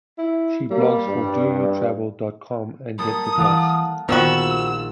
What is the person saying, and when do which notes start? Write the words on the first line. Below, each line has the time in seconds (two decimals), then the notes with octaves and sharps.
She blogs for doyoutravel dot com and Get the Gloss.
0.18 E4
0.71 G3 A#3
1.07 G2
2.99 G3 A#3 A4 D#6
3.38 E3 F5 F#5 A5
4.09 A#1 D#3 F3 G3 A#3 B3 F#4 E6